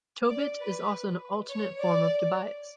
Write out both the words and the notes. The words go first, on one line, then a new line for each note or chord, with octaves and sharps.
Tobit is also an alternate form of Tobias.
D5
B4
C#5
D5